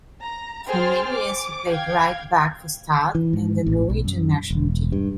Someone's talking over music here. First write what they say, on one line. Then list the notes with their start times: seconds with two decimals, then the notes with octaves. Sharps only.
For many years he played right back for Start and the Norwegian national team.
0.23 A#5
0.67 G#4 C5 G5 C6 F6 A6
1.12 D6
1.68 F5 G5 G#6
3.15 E3
3.33 G#2
3.67 A1
3.90 B1
4.05 F#2
4.50 E1
4.92 G2